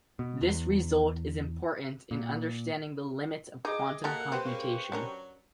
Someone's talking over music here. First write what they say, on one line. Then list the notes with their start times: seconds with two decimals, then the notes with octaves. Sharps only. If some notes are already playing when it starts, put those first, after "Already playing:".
This result is important in understanding the limits of quantum computation.
0.19 B2
0.41 E2
2.11 A#2
3.65 D#4 G#4 D#5 D6
4.04 A#3 G4 A4 A#4 F#5
4.32 C4 G4 B4 C5
4.46 C#3 A#3 C#6
4.92 F#3 C#4 D4 A#4